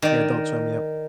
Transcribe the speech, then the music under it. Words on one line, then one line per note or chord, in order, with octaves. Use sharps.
Yeah, Adult Swim, yep.
D#3 D5